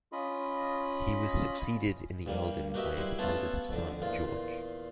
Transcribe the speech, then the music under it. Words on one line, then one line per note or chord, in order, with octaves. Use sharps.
He was succeeded in the earldom by his eldest son George.
C#4 F4 D#5 B5
G2 G3 A#3
A#3 F#4 G4 B4 D#5 E5
G3 E4 C6
A3 B3 C#4 F4 A4 B4
F2 D3
E2 A#2 F4